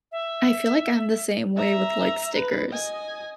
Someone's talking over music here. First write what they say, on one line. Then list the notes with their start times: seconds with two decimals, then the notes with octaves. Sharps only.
I feel like I'm the same way with, like, stickers.
0.12 E5
1.56 E5 A#5
2.36 B4
2.71 D#5 G#5